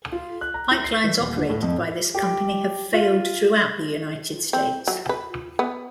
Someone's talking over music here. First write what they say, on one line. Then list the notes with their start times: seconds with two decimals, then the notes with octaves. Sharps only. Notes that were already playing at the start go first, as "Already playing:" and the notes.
Pipelines operated by this company have failed throughout the United States.
0.12 F4
0.41 F#6
0.54 A#5
0.71 E4
0.84 C7
1.04 E3
1.20 D#1
1.37 D3
1.50 A2
1.62 F2
2.15 G4
2.93 F4
4.53 C4
4.87 F#3
5.09 B4
5.59 B3